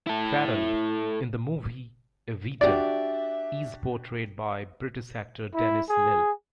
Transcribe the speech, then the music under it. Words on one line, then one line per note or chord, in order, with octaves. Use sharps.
Farrell, in the movie "Evita", is portrayed by British actor Denis Lill.
E4 A4
D4 F#4 G4 D5 E5
E4
G#4